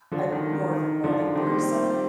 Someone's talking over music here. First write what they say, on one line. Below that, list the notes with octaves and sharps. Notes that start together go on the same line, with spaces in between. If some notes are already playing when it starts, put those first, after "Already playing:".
I'm more of a morning person
D3 F3
D#3
D#3
D#3
D3 F3
A#2 D#3 G3 C4 G4 C5